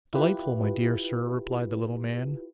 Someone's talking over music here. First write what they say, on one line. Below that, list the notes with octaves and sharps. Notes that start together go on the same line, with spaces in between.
'Delightful, my dear Sir,' replied the little man.
E4 F4 G4 B4